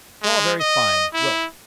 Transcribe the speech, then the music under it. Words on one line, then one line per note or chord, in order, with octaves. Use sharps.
'It's all very fine--Well!
G#3
D#5
E4